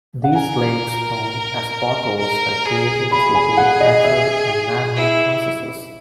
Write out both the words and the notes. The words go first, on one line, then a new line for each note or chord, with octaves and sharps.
These lakes, known as "potholes" were created through both natural and man made processes.
F#5
A#4 G#5
A#4
G#4
G#4 B5
G#5
F#5
D#5
E5
E4